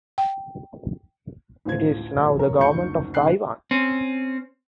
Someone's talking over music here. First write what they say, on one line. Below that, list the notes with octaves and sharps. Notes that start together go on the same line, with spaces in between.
It is now the government of Taiwan.
G5
A1 D2 A2 F4 C5 G#6
A#4 C#5
F#1 D2 D#4 C#6 G6 C#7
D#2 C#3 G5 F#6 C7
C4 C#4